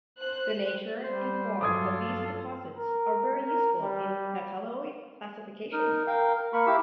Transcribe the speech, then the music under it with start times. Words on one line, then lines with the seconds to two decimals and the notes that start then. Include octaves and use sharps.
The nature and form of these deposits are very useful in nautiloid classification.
0.20 C5 F#6
1.04 G3 C5
1.61 G2 F#3 F4 A4 D6 D#6 G#6
2.76 A#4
3.47 A#4
3.81 G3
5.72 D#4 A#4
6.07 A#4 F5 G5
6.35 A#4
6.53 A#3 A#4 B5 C#6
6.67 E4 G4 F5 E6